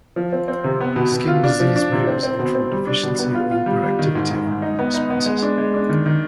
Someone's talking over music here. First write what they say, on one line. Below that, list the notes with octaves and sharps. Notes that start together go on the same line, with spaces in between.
Skin disease may result from deficiency or overactivity of immune responses.
F3
C4
C4
C3
B3
B2
B2
F4
D4
F3
D4
C3
C4
C4
B2
C4
G3
D4
B2
B3
F4
F4
G3
G3
D#3
G#2
G#2
G#2
D#4
B3
D#4
B3
G#3
D4
G#3
D4
D#3
D#3